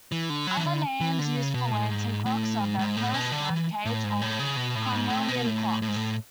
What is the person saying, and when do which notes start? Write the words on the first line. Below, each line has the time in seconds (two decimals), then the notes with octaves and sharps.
Other names used for lantern clocks are "bedpost", "birdcage" or "Cromwellian" clocks.
0.12 E3
0.30 D3
0.47 F#3
0.57 E3
0.65 D3
1.01 E3
1.19 D3
1.36 C#3
1.54 B2
1.71 A2
1.90 G#2
2.26 A2
2.61 G#2
2.79 G#2
2.97 A2
3.14 B2
3.32 D3
3.50 E3
3.85 A2
4.04 G#2
4.21 A2
4.39 C#3
4.56 B2
4.75 A2
4.93 G#2
5.10 A2
5.28 B2
5.46 A2
5.82 A2
5.88 G#2
5.96 A2